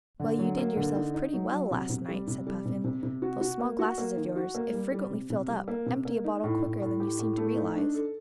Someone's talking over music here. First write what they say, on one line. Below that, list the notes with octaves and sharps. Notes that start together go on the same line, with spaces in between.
"Well, you did yourself pretty well last night," said Puffin. "Those small glasses of yours, if frequently filled up, empty a bottle quicker than you seem to realize."
D3
F#3
A#3
D3
D#4
D#4
F#3
F#3
C3
C3
G3
C3
G3
C3
C3
C3
F#4
F#4
A#3
F#4
A#3
D#3
F#4
A#3
G3
G3
C3
C3
G3
A#3
C3
A#3
D#4
A2
A2
A2
G4
A2
A3
D#4
D4
A4